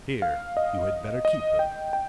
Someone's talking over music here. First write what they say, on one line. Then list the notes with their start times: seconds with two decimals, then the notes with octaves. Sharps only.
'Here, you had better keep them!
0.22 F5
0.57 D#5
1.25 D#5
1.59 G5
1.93 G5